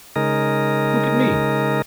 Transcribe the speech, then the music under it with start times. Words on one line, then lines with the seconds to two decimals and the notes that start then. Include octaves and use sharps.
Look at me.
0.16 C#3 G#3 D#4 A#4